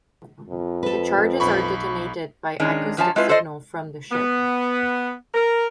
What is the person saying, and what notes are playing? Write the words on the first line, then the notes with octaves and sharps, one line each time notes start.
The charges are detonated by acoustic signal from the ship.
F2
A4 B4
B1 B5 C#6
D#3 G#3 C#4 D4
F#2 F3 C#4 A5
G#3 C4 E4 F4 B4
F4 A4 C5 D5 D#5
B3
A#4